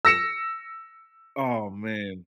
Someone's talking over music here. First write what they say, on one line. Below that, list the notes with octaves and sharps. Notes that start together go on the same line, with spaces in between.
Oh, man.
E6 A#6 C#7 E7